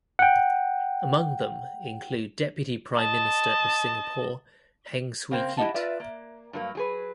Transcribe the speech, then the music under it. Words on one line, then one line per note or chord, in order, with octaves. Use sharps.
Among them include Deputy Prime Minister of Singapore Heng Swee Keat.
F#5 G5
D#5 A5
C#3 A#3 C4 C5
E4 G4 D#5 F#5 A5
F4 B4 D5 E5
A#3
G2 F#3 A#3
F#3 G#4 B4